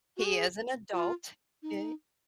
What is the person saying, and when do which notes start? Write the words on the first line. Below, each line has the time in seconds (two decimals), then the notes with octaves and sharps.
He is an adult, ye
0.17 F#4
0.25 G#4
0.93 F4
1.63 D#4